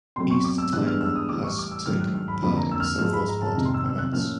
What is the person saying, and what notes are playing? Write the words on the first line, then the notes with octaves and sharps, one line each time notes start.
East Timor has taken part in several sporting events.
B2 F#3 A3 C4 C6
C#6
D6
E6
G2 E3 G#3 B3 D4 F#6
F6
E6
D#6
A2 E3 G3 D6
C#6
D6
E6
G#2 D#3 F#3 A3 F6
F#6
F6
B5
F2 D3 F3 A#3 B5
A#5
E6
F6
G#2 F3 G#3 F6
B5
A#5
A5
F2 C3 D#3 A#5
C6
E6
E6
F#6
A2 F3 A#3 C#4 F6